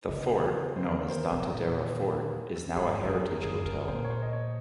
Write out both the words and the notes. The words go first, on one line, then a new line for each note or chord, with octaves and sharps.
The fort, known as Danta Dera Fort, is now a heritage hotel.
C#3 D#5
C5
C#5
C5
A#4
C5
C5
C3
A#2
G#2 G#4
G#2 A#4
F#2 G#4
F#2 G#4
F#2 A#4
A#2 C5
C#5
C5
D#5
C#5